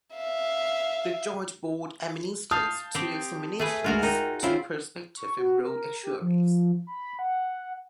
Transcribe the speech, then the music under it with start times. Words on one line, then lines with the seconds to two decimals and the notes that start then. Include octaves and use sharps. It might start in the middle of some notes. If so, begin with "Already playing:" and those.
The Joint Board administers two examinations to prospective Enrolled Actuaries.
0.15 E5 F5
2.51 F5 A5 D#6 G6
2.95 C4 G4
3.59 A3 G#4 B4
3.84 D2 G#3 F4 F#4 A#4
4.03 D#4 A#4 G5
4.43 C4 C#4 E4 F4 C5
5.17 C#6
5.38 F#4
5.64 A#4
6.03 G4
6.22 F3
6.87 B5
7.19 F#5